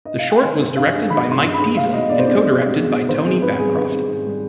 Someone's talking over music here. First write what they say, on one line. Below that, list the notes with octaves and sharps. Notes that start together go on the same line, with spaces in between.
The short was directed by Mike Disa and co-directed by Tony Bancroft.
D#5
F5
G5
D#3 G#5
G2
G2 F5
G#3
D#3 B5
G2
C6
G2
B5
G#3
G#3 F5
B2 D#5
B2 D5
C5
C4 D5
G#3
B2
B2
C4
D#3 C5
C4 G#4
G#2 B4
G3 G#4
D#3 B4
C4
G#2
G3